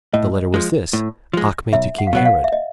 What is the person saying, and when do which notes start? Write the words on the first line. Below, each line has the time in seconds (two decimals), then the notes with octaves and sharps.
The letter was this: 'Acme to king Herod.
0.13 A2 D#5
0.54 F3 G#3
0.93 A2
1.33 F3 G#3
1.73 B1 E5
1.98 F#5
2.07 F5
2.13 B2 F#3 B3 F#5
2.25 F5
2.44 E5
2.53 D#5